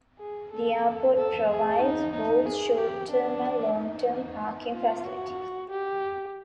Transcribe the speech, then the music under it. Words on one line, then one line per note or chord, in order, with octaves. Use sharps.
The airport provides both short-term and long-term parking facilities.
G#4
A4
A4
G#4
D#4
D#4
G#4
G4
D4
D#4
F4
F#4
G4